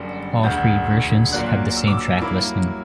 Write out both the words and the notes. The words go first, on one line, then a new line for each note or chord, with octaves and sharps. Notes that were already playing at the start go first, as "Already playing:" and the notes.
All three versions have the same track listing.
Already playing: F#1 F#2 D3 G3
E1 D2 D3 G6
A#2 F#3 A#3 D4 F#6
E6
D6
E6
G2 F#3 A#3 E4 D6